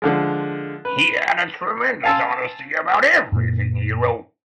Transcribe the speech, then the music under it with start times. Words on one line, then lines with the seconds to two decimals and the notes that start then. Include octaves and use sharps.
He had a tremendous honesty about everything he wrote.
0.02 D3 F3 G#3
0.85 B4
2.03 F5 G#5 A5 C6 E6
3.32 F#2 A#2 A#3